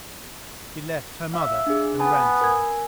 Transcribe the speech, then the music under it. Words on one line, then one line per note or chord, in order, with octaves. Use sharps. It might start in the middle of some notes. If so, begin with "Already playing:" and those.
She left her mother and ran to me.
E5 F5
D4 G#4
B3 G#5 A5
A#4 G#5 G#6